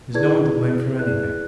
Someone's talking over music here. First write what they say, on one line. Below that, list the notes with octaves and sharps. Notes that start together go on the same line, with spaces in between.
"Is no one to blame for anything?"
E4 G#4 B4 D5 G#6
E4 G#4 B4 D5 F#6